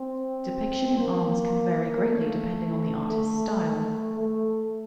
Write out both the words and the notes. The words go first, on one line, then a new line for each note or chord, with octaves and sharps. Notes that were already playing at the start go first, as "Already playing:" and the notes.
Depiction in arms can vary greatly depending on the artist's style.
Already playing: C4
A#3
A3
A3
A3